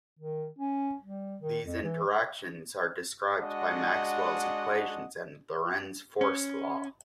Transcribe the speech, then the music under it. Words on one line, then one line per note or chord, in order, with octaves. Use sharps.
These interactions are described by Maxwell's equations and the Lorentz force law.
D#3
C#4
G3
D#3
F2
E3
G#3 D4 F#4 D#5 F#5
C#4